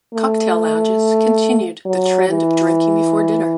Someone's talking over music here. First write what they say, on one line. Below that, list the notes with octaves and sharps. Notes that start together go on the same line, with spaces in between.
Cocktail lounges continued the trend of drinking before dinner.
A3
F#3
E3